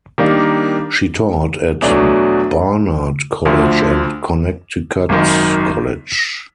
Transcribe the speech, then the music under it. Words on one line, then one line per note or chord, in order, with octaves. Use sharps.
She taught at Barnard College and Connecticut College.
D#3 G3 A#3 D4
E2 B2 F#3 A3 D4
D2 D3 F3
G#1 F#2 D#3